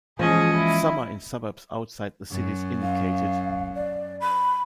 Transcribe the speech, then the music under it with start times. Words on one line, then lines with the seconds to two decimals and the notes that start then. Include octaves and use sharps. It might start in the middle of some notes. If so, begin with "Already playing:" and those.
Some are in suburbs outside the cities indicated.
0.19 E3 F3 G#3 A#3 C#4 G#4 D#5
0.57 E4
2.31 F#2
2.82 F5
3.75 D5
4.20 B5